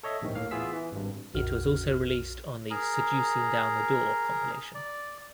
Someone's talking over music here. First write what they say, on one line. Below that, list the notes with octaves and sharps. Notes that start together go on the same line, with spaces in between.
It was also released on the "Seducing Down The Door" compilation.
A4 C#5 D#5 E5
A#1 D#2 G#2 D#3
A2 A#3 F5 F6
E3 B3 F4 G#4 E6 B6
E3
G#1 G2
A#1 F2 F#4 F6
G#4 A#4 A#5
D5